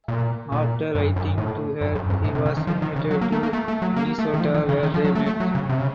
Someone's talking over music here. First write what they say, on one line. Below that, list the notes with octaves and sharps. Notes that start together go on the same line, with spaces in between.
After writing to her he was invited to Minnesota where they met.
A#2
A#2
F#2
F#2
A2
F#2
F#2
F2
A2
C3
C#3
D#3
F3
D#3
C#3
F#3
A#3
A3
A#3
A3
A3
F#3
A#3
A3
D#3
F3
D#3
C#3
D#3
F3
F#3
A3
A3
F#3
C#3
C3
C#3